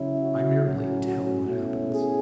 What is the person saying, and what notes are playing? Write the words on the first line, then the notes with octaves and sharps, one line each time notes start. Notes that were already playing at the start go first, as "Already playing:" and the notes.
I merely tell what happens.
Already playing: C#3 F#3 C#4 E4
F#4
A2 F#3 C#4 F#4
F#4
B2 A3 C#4 E4
G#4